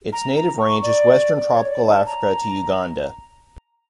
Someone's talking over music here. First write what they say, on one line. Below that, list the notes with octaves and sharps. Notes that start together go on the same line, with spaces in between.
Its native range is Western Tropical Africa to Uganda.
A#5
A#5
C#6
D5
C#5
D5
A5
A#5